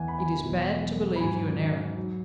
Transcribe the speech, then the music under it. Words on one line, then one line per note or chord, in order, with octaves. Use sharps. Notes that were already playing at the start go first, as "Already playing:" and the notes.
'It is bad to believe you in error.
Already playing: E2 E3 F#5 G#5
B5
G#5
E2 B2 F#3
B5
G#2 F#3 G#5
F#3